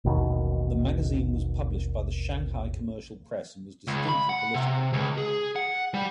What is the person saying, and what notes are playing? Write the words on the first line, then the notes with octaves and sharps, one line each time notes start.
The magazine was published by the Shanghai Commercial Press and was distinctly political.
A1 D#2 B2 D#3
C#2
B5
F#5
C3
C#2
G#4
F#5
G3